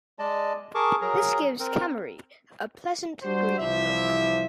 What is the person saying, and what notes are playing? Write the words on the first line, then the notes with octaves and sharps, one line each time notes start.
This gives Cammeray a pleasant green look.
G#3 D5 D#5 A5
G#4 A#4 A5 C#6 D6
F#3 G#4 A#4 A#5
C4 A#4
G3 D4 F#4 G4 C5
C2 E3 F3 E4 G4 E5